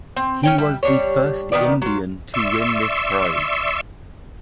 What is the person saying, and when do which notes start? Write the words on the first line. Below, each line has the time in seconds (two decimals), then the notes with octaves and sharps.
He was the first Indian to win this prize.
0.16 C4
0.43 C#4 C#5 G5
0.58 G3 E5
0.83 G3 D4 C#5
1.52 D#3 E3 B3 D5
1.82 F#3 F4
2.34 D5 E5 C6 C#6 E6